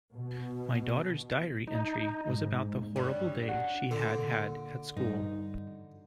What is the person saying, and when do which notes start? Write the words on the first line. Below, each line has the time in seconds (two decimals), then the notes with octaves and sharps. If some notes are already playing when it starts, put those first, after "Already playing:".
My daughter's diary entry was about the horrible day she had had at school.
0.14 B2
1.68 D#4
2.30 G#2
2.96 G2 F#3 G3 C#4
3.49 F#5
3.91 A#2 D3
4.97 G2 D#4